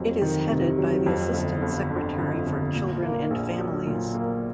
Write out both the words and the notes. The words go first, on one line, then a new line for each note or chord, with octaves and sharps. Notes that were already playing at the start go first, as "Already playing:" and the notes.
It is headed by the Assistant Secretary for Children and Families.
Already playing: F2 C3 F#3
D#3
C3
F#3
F2
G1
G1
D3
F2
G1
A#2
A#3
A#1
F#3
A#2
A#3